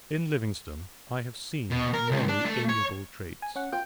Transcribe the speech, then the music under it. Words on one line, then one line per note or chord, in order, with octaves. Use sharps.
In Livingstone I have seen many amiable traits.
B2
A#4
C#2
D4
A3
C#5
G#5
C#4 F#5
F4 G5